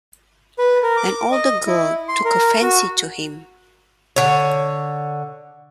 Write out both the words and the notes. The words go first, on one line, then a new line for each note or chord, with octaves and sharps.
An older girl took a fancy to him.
B4
A#4
D6
D#5
E4
C6
A#4
F#4
D3 C#5